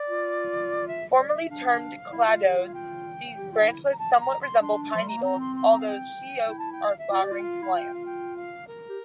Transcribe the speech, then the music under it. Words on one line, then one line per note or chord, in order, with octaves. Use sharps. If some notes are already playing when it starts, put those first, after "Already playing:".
Formally termed cladodes, these branchlets somewhat resemble pine needles, although sheoaks are flowering plants.
Already playing: D5
F4
E5
D5
E5
D4 F5
E4
F4
G4
F4
F5
G5
G4
F4
D4
E4
A#5
A5
C6
A#5
C6
D4 C6
F3 C6
G3
A3 A#5
A#3
C4 A#5
C6
C6
A#5
F5
G5
E4
A5
G5
F5
E5
F4 D5
G4
F4
G5
F5
E4
F4 G5
F5
G5
F5
A#4
G4